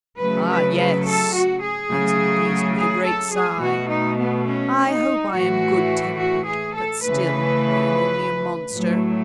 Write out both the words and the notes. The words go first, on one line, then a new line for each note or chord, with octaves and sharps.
"Ah! yes," answered the beast, with a great sigh; "I hope I am good-tempered, but still I am only a monster."
C#3 F#3 A3 B4
B4
B4
A4
F#4
G#4
C#3 F#3 A3
G#4
A4
G#4
B2 A3 F#4
D#4
B3
C#4
D#4
A2 E3 A3 F#4
F#4
G#4
A4
C#3 E3 A3 B4
A2 F#3 A3